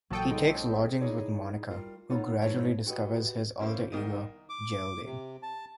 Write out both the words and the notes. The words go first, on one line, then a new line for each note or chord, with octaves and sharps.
He takes lodgings with Monica, who gradually discovers his alter ego, "Geraldine".
A#1 F#3 A4 G5 D#6
G#3 C4 D#4
D#4 E4 G#4 C#5 D5
G3 F4 A#4
B3 D#4 F4 A4 C#5
G#2 E3 C5 C#5 A5
F#4 G4 A4 B4 D#5
A#3 C#4 E4 A#4 C5
C2 D#3 D#4 A#4 D#5 D#7
D6
C3
A5